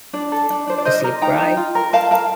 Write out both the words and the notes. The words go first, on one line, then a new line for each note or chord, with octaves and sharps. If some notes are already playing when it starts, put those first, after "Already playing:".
Is it bright?
D4 D5
A4
D4
D4 C5
D5
A#4 C5 D#5
A#4
D#4 G5 A#5
D#4
F4
A#4
A#4 F5 A5
A#4 F5 A5